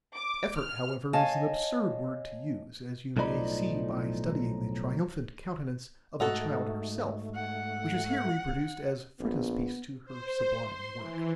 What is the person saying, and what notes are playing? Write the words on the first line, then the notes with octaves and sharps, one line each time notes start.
"Effort," however, is an absurd word to use, as you may see by studying the triumphant countenance of the child herself, which is here reproduced as frontispiece to her sublime work.
D6
F6
C#5 D#5 F5 G#5 A5
B1 A2 F3 D#4 D5 B5
G#2 A3 D#4 F#4 A4
F#5
A#1 B3
C5
C6
E3